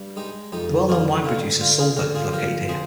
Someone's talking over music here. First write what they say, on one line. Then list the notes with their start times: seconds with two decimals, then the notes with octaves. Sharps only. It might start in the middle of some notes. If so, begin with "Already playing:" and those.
The well-known wine producer "Suvla" is located here.
Already playing: G2
0.16 G#3 D#4 G4
0.52 F2 D#4 G4
0.89 D3 F4 G#4
1.24 D3 F4
1.60 D3 F4
1.79 F4 G#4
1.97 D3 G4 A#4
2.15 F4 G#4
2.24 C5
2.32 F3 G4 A#4
2.69 G#4 C5